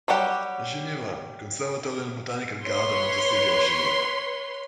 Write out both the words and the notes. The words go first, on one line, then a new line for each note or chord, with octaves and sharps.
Geneva: Conservatory and Botanical Garden of the City of Geneva.
F#3 G3 G4 F#5
B4 C#5 C6